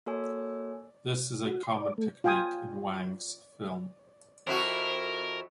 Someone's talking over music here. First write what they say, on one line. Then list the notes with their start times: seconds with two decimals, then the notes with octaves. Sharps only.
This is a common technique in Wang's film.
0.06 A#3 F#4 A4 C#5 G#5 E6
1.45 F#4
1.63 C6
1.77 D5
1.98 A3
2.24 F4 F5 G5 G#5 D#6
4.47 F2 E4 F#4 A#4